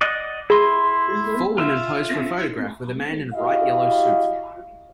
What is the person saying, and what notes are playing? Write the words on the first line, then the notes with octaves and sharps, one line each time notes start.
Four women pose for a photograph with a man in a bright yellow suit.
D5 D#5 F#5
E4 G#4 C6
F4 E5
E4 F#4 G4 D#5 F5